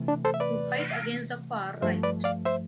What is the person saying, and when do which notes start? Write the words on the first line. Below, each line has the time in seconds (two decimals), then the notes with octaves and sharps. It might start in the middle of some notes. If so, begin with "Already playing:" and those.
To fight against the far right.
Already playing: C3 E3 A3
0.08 D4
0.25 A4 C5
0.34 E5
0.40 B4 D5
1.82 G2 F3 A3 C5 E5
2.03 B4 D5
2.24 D5 F5
2.45 C5 E5